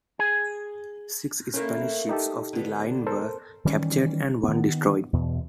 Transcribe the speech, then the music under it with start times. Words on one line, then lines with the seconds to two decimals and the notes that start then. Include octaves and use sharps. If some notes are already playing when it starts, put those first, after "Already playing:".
Six Spanish ships of the line were captured and one destroyed.
0.19 G#4 G#5
1.54 A3 A#3 C#4 E4
2.09 D#4 G4 A4
2.53 D3 B3
3.07 A4 A#4 C5
3.65 D#3 E3 G3 C#4
4.44 D#3 B3
5.13 E2 B2